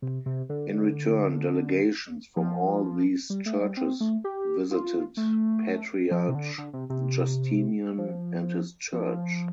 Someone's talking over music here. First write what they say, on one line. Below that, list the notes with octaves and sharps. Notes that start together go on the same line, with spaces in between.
In return, delegations from all these churches visited Patriarch Justinian and his church.
C3
C3
D3
F3
G3
A3
G3
C4
A3
G4
F4
A3
F3
C3
D3
D3
C3
C3
F3
F3